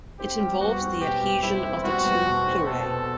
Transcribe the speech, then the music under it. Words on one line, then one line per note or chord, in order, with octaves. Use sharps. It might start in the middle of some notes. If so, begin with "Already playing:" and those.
It involves the adhesion of the two pleurae.
C4 G4
G3
E2 F#4
C4
B2 G4
G3
C4 E4
C4
G3 F#4
E2
B2
C4
B2 A4
B2